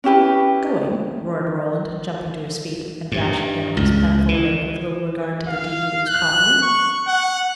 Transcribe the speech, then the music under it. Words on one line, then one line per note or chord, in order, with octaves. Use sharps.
"Going!" roared Roland, jumping to his feet, and dashing down his pen full of ink, with little regard to the deed he was copying.
C#4 E4 G4 B4
G2
C#2
E3
F5
F#6
C#6
F#5